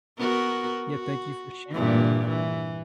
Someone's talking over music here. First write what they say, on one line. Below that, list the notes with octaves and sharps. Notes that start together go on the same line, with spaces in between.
Yeah, thank you for sharing, yeah.
B3 F#4 A#4
F#4
G2 A#2 E3
E3